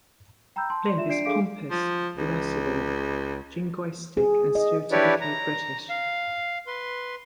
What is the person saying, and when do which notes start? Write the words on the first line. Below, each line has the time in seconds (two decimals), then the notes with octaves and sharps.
Blimp is pompous, irascible, jingoistic, and stereotypically British.
0.56 G5 A#5 B5 E6 G6
0.70 A5 C6
0.85 D5 C6
0.97 F4 E5 E7
1.09 D4 D5 C7 D7
1.25 D4 G#4 A4 F5 D6 D7
1.71 F3
2.16 C#2
4.17 G#4
4.55 D#5
4.92 D4 E4 G4 B4 C#5 D5
5.21 A#5
5.90 F5
6.67 B4 C6